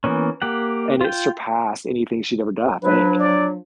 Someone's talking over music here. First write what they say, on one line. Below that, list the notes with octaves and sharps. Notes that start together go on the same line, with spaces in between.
and it surpassed anything she'd ever done, I think.
E3 A#3 B3 C#4
A#3 G4 F#5
F4 G5
F3 F#3 D4 B4
D5